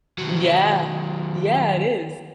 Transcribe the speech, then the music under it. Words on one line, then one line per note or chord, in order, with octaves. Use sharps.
Yeah. Yeah, it is.
D#3 F#3